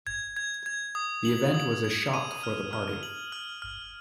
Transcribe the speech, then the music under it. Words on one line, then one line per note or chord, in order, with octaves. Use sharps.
The event was a shock for the party.
G#6
G#6
G#6
D#6
F#7
D#6
G#6
D#7
F6
F6
F#7
F6
F6